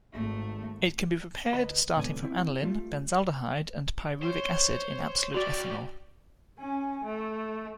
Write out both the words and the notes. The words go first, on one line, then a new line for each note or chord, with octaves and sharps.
It can be prepared starting from anilin, benzaldehyde and pyruvic acid in absolute ethanol.
G#1 A3
D2 B4 D#5 B5
C#2 A#2 D3 B3 G#5
C4 E4
G3 A3 F4
C5 C#5
F#3 G3 F#4 D5
C#4 G#5
A3